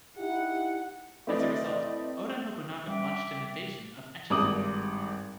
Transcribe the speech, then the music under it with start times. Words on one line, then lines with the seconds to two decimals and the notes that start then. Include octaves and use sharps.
As a result, Oda Nobunaga launched an invasion of Echizen.
0.18 D#4 E4 G4 F#5
1.27 A3 C4 E4 B4 D5 D#5
2.87 G3 E5 G5 D6
4.30 G#1 G2 D6 D#6 F#7